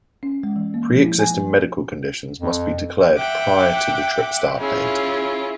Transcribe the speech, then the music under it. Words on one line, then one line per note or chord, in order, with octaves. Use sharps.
Pre-existing medical conditions must be declared prior to the trip start date.
C#4
G#3
E3
A#3
F3
E4
G#5
F2
E5 F#5 G5 D6
C#4 E4 F4 G#4